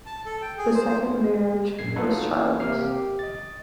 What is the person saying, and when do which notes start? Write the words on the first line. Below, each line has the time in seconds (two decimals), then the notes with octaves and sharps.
The second marriage was childless.
0.06 A5
0.25 A4
0.42 G5
0.58 G#4
0.74 C5
1.79 A#1 F#2 G#6 C7
1.96 D#4 F4 F#4 A4 B4
2.32 E3 A#3 C#4
2.60 C3 A#3 F6 C7
2.80 G4
3.19 D#5 A6